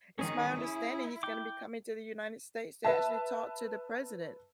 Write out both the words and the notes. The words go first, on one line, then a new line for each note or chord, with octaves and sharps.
it's my understanding he's gonna be coming to the United States to actually talk to the president.
D#3 C#4 G#4
E4
G5 D6
B4 E5 A5